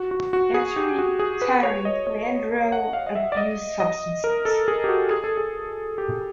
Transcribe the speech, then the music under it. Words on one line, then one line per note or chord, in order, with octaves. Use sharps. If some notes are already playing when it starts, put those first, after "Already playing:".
After retiring, Landreaux abused substances.
Already playing: F#4
F#4
F#4
G#4
G4
F#4
G#4
B4
C#5
D#5
C#5
F#5
F5
D#5
E5
D5
D#5
D#5
A#4
A4
G#4
G4
F#4
G#4
A4
G#4
G4